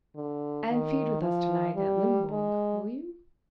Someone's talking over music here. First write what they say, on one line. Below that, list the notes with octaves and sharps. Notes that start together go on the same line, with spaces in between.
And feed with us to-night at Limpold, will you?
D3
D#3
F3
G3
G#3